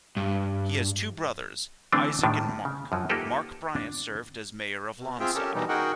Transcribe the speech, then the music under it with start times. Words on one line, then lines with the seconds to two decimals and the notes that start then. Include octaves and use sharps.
He has two brothers, Isaac and Mark; Mark Bryant served as mayor of Lawnside.
0.17 G2
1.92 D3 E3 A3 C4 D4
2.24 A2 D#3 G3 D4
2.65 C#3
2.92 F#2 F3 F#3
3.09 A#3 D#4 F4 G4 A4 B4
3.76 D4
4.98 B2
5.20 C4 F4 G#4 E5 G5
5.35 C#4 G4 A4 A#4 A5
5.55 B2 E3 G3 D#4
5.69 D#4 F#4 G#4 A#4 F#5 G5